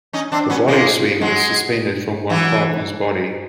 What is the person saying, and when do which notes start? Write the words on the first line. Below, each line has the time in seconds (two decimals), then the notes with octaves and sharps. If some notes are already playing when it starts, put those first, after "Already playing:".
The body swing is suspended from one partner's body.
0.13 C#4 D#4
0.32 C4 D4
0.50 B3 C#4
0.68 G#3 A#3
1.21 F#3 G#3
2.30 E3 F#3